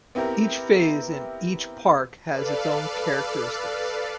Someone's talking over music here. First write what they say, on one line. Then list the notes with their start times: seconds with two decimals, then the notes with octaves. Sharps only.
Each phase and each park has its own characteristics.
0.15 B3 C4 E4 G4 A#4
2.29 A4 B4 D5 F5